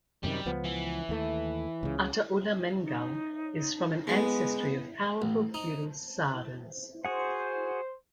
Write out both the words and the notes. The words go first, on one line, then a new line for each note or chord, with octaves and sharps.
Ataullah Mengal is from an ancestry of powerful feudal sardars.
F#2 C3 D#3 G3
C#2 F3 B3
E3
D#2 A3
C#2 C#3
D#4
G#3 B3
A1
D#4
F#4 G#4 C5 F#5